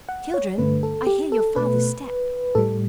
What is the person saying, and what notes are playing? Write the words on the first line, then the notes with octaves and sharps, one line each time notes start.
'Children, I hear your father's step.
F#5
C#5
G2 D3 A3 B4
A4
G4
A4
B2 A3 B4
A2 G3 A4